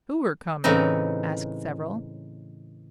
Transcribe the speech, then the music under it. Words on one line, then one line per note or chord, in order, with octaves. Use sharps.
"Who are coming?" asked several.
A2 C#3 E3 C4 D#4